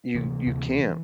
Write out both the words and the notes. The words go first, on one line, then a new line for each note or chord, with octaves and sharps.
You you can't.
D2 C3 E3 A#3
D2 C3 E3 A#3
E3